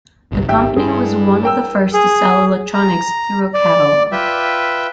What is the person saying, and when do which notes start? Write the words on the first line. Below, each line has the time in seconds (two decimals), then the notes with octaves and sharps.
The company was one of the first to sell electronics through a catalog.
0.32 G1 C2
0.48 G#1 G4 E5 G5
0.76 G2 E4 G#4
1.43 A#4 G5 E6
1.93 G#4
2.73 A#5
3.54 D5
4.12 F4 B4 E5 G5